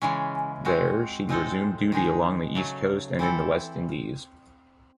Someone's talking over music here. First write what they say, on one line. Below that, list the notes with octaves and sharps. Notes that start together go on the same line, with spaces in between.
There, she resumed duty along the east coast and in the West Indies.
C#3 E3 G#3 C#4
G#3 C4 F#4
A2 G#3 C4 D#4 A4
D#3 G#3 D#4 G#4
C#3 F#3 A3
E3 C4 E4 A4